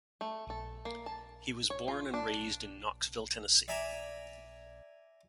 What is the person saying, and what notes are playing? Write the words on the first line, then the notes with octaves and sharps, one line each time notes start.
He was born and raised in Knoxville, Tennessee.
A3
A4
A#3
A5
C#5
F4
D4
D5 E5 G#5 A#5